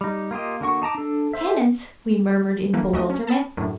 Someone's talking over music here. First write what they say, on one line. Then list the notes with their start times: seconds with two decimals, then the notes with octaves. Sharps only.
"Penance?" we murmured in bewilderment.
0.01 G3 D#4
0.31 A#3 F4 G4 D#5
0.61 D3 A#3 F#4 C#6
0.82 D#4 A5 A#5 D6
0.95 D4 A4
1.33 A4 C5 E5
2.73 D3 E3 A#3 B4
2.93 C#2 A3 D#4 F#4 D#5 D#6
3.10 C#4
3.27 A5 B5 D#6 A6
3.57 F#2 A2 D3